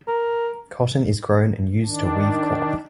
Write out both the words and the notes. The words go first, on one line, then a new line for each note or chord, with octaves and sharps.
Cotton is grown and used to weave cloth.
A#4
D#3 D4